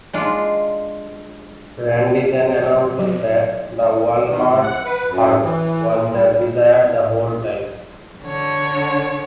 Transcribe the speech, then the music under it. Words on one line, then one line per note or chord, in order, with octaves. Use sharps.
Randy then announces that the Wall-Mart's "heart" was their desires the whole time.
G#3 D4 F4
F#3
D#3
A2
F#5
B4
F#2
E3
A#2
G3
D3 C#5